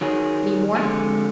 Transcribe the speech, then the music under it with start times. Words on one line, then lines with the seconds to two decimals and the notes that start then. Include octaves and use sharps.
"Any more?"
0.01 D#3 F#3 G#4
0.75 F2 D3 G#3 G4 G#5